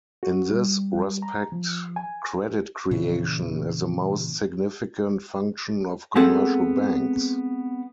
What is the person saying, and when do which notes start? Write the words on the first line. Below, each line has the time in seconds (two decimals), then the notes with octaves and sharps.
In this respect, "credit creation" is the most significant function of commercial banks.
0.23 F#4
0.50 G3
1.22 A#5
1.52 F3
1.96 G#5
2.91 A#2 C#3 E3
6.16 G#3 B3 C4 G#4 A4 F#5